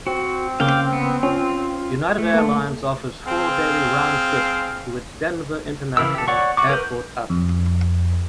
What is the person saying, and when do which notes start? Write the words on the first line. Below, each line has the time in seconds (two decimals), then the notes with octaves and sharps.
United Airlines offers four daily round trips to its Denver International Airport hub.
0.07 C4 F#4
0.60 C#3 A#3 C#4 F5 G5 D6
0.93 B3
1.23 C#4 F4
2.18 A3
2.34 A#3 A4
3.25 C4 G#4 F5
5.97 C#3 E3 E4 A#4 E6
6.15 G4 A4
6.28 C#5 D5 F#5 C#6
6.57 F#4 C#6 D6
6.69 A#4 B4 G6
7.30 F2